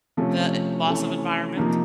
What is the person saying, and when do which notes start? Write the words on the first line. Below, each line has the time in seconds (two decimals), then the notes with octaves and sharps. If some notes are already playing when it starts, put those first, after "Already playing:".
the eh loss of environment?
0.17 C3 F3 A3 C#4
0.87 C3 E3 A3 C#4
1.57 C3 F3 A#3 D#4